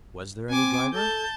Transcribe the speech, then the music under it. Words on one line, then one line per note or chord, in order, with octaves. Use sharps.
Was there any driver?
C4 G#5 D6
A4 A5 G6